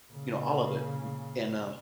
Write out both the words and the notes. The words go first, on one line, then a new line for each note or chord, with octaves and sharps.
you know, all of it m and, uh,
A#2 C#3